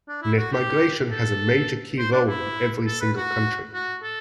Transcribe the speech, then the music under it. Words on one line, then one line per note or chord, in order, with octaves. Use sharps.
Net migration has a major key role in every single country.
D4
E4
F#4
G4
A4
C5
D4
E4
A4
B4
F#4
F#4
A4